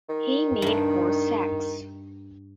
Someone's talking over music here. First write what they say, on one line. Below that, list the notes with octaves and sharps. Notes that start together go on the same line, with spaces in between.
He made four sacks.
D#3
G2 D4